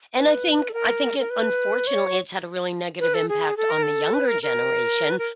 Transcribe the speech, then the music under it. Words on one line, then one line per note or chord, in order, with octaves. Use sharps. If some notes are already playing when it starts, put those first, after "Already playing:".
And I think I think it unfortunately, it's had a really negative impact on the younger generation
B4
A4
A#4
A#4
B4
C#5
B4
A4
G#4
A4
A#4
A4
B4
A#4
A#4
B4
A#4